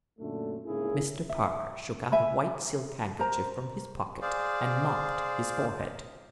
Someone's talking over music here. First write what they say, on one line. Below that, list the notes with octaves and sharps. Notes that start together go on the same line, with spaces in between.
Mr. Parker shook out a white silk handkerchief from his pocket and mopped his forehead.
F#2 A#2 D3 A3
C2 G#2 C#3 A#3 E4 G#4
E5
E5 G#5 B5
A#4 C5 A#5
G#4 C5 D5 F5